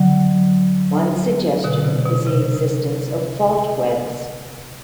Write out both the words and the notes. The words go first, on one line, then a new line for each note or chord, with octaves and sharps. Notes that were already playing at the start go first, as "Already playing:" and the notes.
One suggestion is the existence of fault webs.
Already playing: D3 F#3
B2 D3
C3
B2
C3